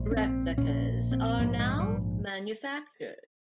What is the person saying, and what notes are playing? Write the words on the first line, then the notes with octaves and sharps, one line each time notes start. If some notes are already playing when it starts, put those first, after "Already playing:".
Replicas are now manufactured.
Already playing: A#1 G#2
C#4
C4
A#1 A#2 C#4
C4
A#1 G#2 A#3
G#3
G3